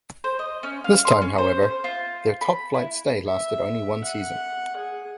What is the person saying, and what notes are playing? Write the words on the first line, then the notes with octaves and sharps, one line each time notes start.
This time, however, their top flight stay lasted only one season.
C5
D#5
C#4
F5
C6
C#4
C5
C5
F4
B5
E4
E5
F#5
G#4